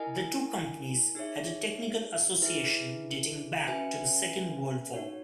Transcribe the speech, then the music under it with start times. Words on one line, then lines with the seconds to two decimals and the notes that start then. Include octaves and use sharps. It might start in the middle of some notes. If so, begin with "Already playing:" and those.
The two companies had a technical association dating back to the Second World War.
Already playing: E4 A#4 D#5 G#5
1.15 D#4 G#4 C#5 E5
2.42 E4 G#4 B4 E5
3.67 C#4 F#4 B4 E5 G#5
4.94 D#4 F#4 C#5